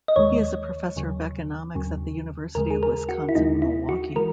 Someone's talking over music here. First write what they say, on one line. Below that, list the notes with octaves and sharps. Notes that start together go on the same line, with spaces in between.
He is a professor of economics at the University of Wisconsin-Milwaukee.
D#5
D#2 D#3 G#3 C#5
D#2 C#3 F#3
D#2 C#3 F#3
D#2 C#3 G#3 A#4
G#4
A#4
F#4
E4
D#2 C#3 G#3 D#4
E4
F#4
E3 G#3 A#4